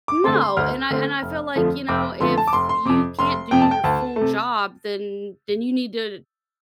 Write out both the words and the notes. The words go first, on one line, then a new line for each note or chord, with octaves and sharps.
No, and I and I feel like, you know, "If you can't do your full job, then then you need to,
D6
D3 A3 C4 C6
C6
D2 F6
D3 A3 C4
F1
F2 D3 F3 A3
F1 D6
F2 D3 F3 A3 C6
A5
D6
F1 C6
C6
F2 C3 D6
F1 C6
F2 C3 G5
A5
G5
D2 A5
A3
C3